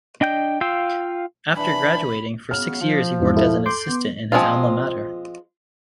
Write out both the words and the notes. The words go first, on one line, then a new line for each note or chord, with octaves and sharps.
After graduating, for six years he worked as an assistant in his alma mater.
D4 D#5 G5 G6
F4 F5 G5 E6
E3 D4 B5
C#3 F#3 B3 F6
F3
E2 G#2
E4 A4
C6 D6 G6
B3
F3 G#3 C4 F4